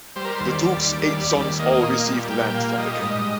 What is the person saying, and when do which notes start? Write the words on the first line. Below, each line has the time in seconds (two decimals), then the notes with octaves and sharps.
The duke's eight sons all received land from the king.
0.16 G3 C5
0.25 A#4
0.35 C5
0.40 D#2
0.52 D5
0.63 G3
0.87 D#2
1.11 G3
1.35 D#2
1.59 A#3 D#5
1.83 A#2
2.07 G3
2.30 A#3 G5
2.54 A#2 F5
2.73 F5
2.78 G3 D#5
3.02 G#2